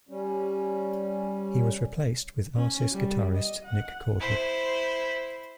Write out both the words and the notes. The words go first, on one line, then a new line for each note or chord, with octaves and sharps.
He was replaced with Arsis guitarist Nick Cordle.
G3 C#4
C#4
G3
D#5
F#5
E4 C5